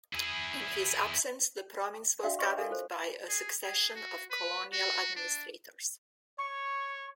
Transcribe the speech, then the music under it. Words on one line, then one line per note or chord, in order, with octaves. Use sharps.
In his absence the province was governed by a succession of colonial administrators.
E4 G#4
D4 F#4 D5 E5 F5 G5
B4 C#5 D#5 C6 C#6
A4 A#4 F5 G#5
F4 A4 C5
G#4
G#4
F#4
B4
F#4
D4
C#5 C#6